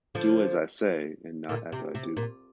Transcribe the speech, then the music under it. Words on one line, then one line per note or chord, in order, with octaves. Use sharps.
Do as I say and not as I do.
D3 F3
A#2 D3
C3
C3
A#2